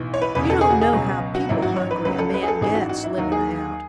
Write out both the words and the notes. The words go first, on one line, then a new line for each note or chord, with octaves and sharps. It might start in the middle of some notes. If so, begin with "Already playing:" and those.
You don't know how people-hungry a man gets livin' out.
Already playing: B1 A2 E3
C#5
B4
E1 E2 C#3 B4
A4
G#4
F#4
G#4
C#2 B2 F#3
F#4
A1 G#2 D#3 F#3 E4
F#4
C#5
B4
C#2 C#3 F#3 B4
A4
B4
G#4
A4
A1 G#2 E3 G#4
F#4
F#4
E4
D#2 D#3 F#3 F#4
G#4